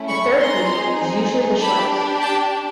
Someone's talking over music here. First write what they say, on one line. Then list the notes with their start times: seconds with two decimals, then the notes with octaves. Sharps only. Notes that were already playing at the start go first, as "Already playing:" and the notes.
The third beat is usually the shortest.
Already playing: A3 C#4 E4
0.08 B5 C#6
0.39 C4 D#4 G#4 A#5 C6
1.60 D4 G4 A5 B5
2.21 G5 A5